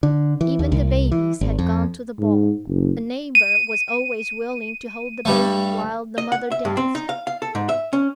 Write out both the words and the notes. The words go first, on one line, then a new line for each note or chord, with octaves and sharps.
Even the babies had gone to the ball; a neighbor was always willing to hold the baby while the mother danced.
D3
E3
D#2
C2
E3
G#1
F2
G#2
F#1
D#7
G2 G3 A3
D#5
F#5
E5
G2
C4
D#4
F5
F5
A4
G#2
E5
C#4